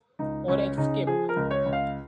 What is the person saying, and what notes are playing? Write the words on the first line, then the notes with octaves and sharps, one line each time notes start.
Or escape?
C#2 D#4
C#2 C#4
C#3 D#4
F3 G#4
A#4
C#2
C#5
C#2
F5